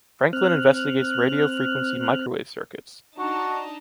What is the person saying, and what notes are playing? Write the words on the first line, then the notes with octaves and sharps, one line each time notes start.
Franklin investigates radio frequency microwave circuits.
C4 F6 F#6
D4 D#4 F#4 A5